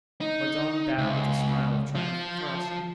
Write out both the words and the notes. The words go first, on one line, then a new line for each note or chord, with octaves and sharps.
Mordaunt bowed with a smile of triumphant ferocity.
D#4
C#2
F3